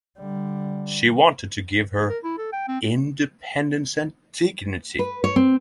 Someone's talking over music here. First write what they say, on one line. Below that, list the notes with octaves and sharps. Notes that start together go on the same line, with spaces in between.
She wanted to give her "independence and dignity".
D3 G3
A#4
E4
A4
G5
C4
B4
C#5
C4